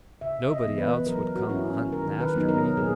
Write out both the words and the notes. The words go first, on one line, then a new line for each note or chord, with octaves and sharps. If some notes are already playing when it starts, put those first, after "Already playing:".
Nobody else would come a-hunting after me.
C#3 E5
D#5
E3 B3
B4
F#3 A#4
F#4
C#4 E4
D#3 A#4
B4
F#3 B3 D#4
A#4
A#2 G#4